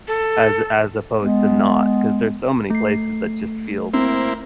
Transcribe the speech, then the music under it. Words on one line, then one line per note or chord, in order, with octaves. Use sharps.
as as opposed to not 'cause there's so many places that just feel
A4
G#3 B3
A3 C7
A#3 C4 E4 C5